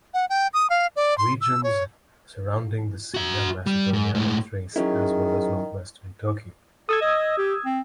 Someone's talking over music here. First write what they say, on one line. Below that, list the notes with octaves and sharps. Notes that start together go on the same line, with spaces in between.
Regions surrounding the sea are Macedonia and Thrace as well as northwestern Turkey.
F#5
G5
D#6
F5
D5
C6
E6
C#5
F#4 E5
G3
G#2
A2 G#3
D#3 F#3 C#4 E4 G#4
A4 D#6 E6 G#6
D#5
G4
C4